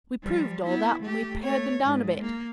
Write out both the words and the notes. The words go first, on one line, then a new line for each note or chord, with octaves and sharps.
We proved all that when we pared them down a bit.
F3 G3
B3 E4
A3 G4
A3 C#5
G#2
A#3